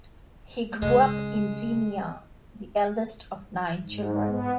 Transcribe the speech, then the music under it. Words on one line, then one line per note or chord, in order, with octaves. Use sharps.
He grew up in Xenia, the eldest of nine children.
C#3 G#3
G#2
B3